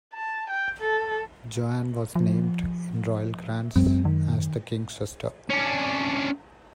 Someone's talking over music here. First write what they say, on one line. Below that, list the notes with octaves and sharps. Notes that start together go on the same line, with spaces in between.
Joan was named in royal grants as the King's sister.
A5
G5
A4
F3
F#2 F#3 G#3 C4
D#3
C#4 D4